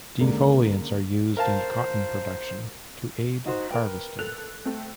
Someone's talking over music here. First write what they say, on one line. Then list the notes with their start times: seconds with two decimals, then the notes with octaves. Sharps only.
Defoliants are used in cotton production to aid harvesting.
0.20 C#2 D3 A#3
1.37 A#4 C5 F5 A5
3.46 D#4 F#4 C5
3.71 A#4 B4 G5
4.19 A4 F#6 F7
4.65 A3 C4